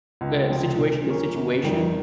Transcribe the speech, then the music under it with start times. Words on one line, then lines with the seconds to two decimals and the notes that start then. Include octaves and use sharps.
the situation to situation.
0.21 C#2
0.49 C3 F3 C4
0.78 A#2
1.06 F3 A#3 C#4
1.35 G1
1.63 F2 D#3 G3